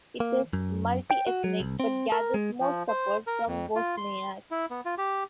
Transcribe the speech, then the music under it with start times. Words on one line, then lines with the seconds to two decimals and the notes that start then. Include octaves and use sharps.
It is multi-ethnic, but gathers most support from Bosniaks.
0.20 A#3
0.53 F#2
1.11 G5
1.27 F#4
1.44 F#3
1.60 C2
1.80 C4
2.12 A#4
2.34 G#3
2.60 F3
2.88 C5
3.27 A#4
3.47 F2
3.76 F4
3.97 C6
4.51 E4
4.70 B3
4.86 F4
4.98 G4